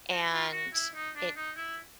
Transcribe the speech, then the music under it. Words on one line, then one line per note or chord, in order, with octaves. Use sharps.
and it
F#4
F4
F#4
E4
D#4
D4
D#4
E4